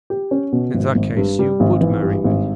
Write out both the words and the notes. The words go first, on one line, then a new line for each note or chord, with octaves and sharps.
"In that case you--would marry me?"
G4
C#4
B2
G#1
G#1
G2
G3
G#1
E3
G2
G#1